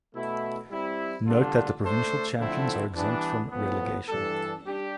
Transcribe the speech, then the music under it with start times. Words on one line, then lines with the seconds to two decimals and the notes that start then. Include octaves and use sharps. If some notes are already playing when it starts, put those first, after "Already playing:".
Note that the provincial champions are exempt from relegation.
0.14 B2 A3 E4
0.70 G3 C4 E4
1.27 D3 G3 D4 F4 A4
1.83 A3 D4 A4 C5
2.39 D3 F3 A3 C4 E4
2.95 E3 G3 B3 D4
3.52 A2 F3 B3
4.09 G2 E3 G3 D4 A4
4.64 G3 D4 G4